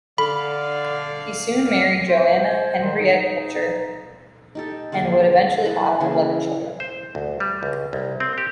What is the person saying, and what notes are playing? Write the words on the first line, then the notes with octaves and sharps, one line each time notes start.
He soon married Johanna Henriette Kuchler and would eventually have eleven children.
D3 A4 D5 F5 B5
C5
D#3
D#4
D#4 G4 A4
D3 G#3 A#3 D5
E4 B4 A5 B5
C#3 E3 A#3 G#4
C5
D2
G3
C#2
C2
C4
G4